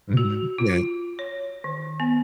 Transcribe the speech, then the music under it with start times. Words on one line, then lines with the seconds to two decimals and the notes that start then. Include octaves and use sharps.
Mhm. Yeah.
0.17 F#4
0.58 F4
1.19 C#5
1.64 D#3
2.00 B3